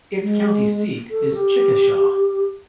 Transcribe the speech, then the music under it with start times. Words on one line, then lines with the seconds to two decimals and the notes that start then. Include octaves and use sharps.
Its county seat is Chickasha.
0.22 G#3
1.10 A4
1.34 G4